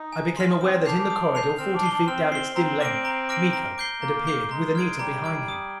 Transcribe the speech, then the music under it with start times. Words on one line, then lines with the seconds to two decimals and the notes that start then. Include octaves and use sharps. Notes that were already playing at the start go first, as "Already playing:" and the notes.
I became aware that in the corridor, forty feet down its dim length, Miko had appeared with Anita behind him.
Already playing: D#4
0.12 G#5
0.37 C6 F6
0.61 C4 D#6
0.74 C4
0.86 D4 G6 C7 F7
0.98 D4
1.10 D#6
1.35 G6 C7 F7
1.59 C4 F6
1.75 D4
1.83 C7 G7
1.91 D4
2.07 C4 F6
2.32 C7 G7
2.56 C4 A#5
2.80 D6 F6 A#6 D7
3.05 A#5
3.29 D6 F6 A#6 D7
3.53 A#5
3.78 D6 G6 C7 G7
4.02 A#3 A#5
4.27 D6 G6 C7 G7
4.51 G#3 A#5
4.75 F6 G#6 D7
4.99 G3 A#5
5.24 F6 G#6 D7
5.48 D#6